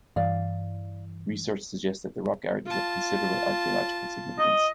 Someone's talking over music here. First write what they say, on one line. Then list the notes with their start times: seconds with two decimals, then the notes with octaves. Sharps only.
Research suggests that the rock art is of considerable archaeological significance.
0.16 G2 E3 D5 F5
2.66 F4 A5
4.39 D#5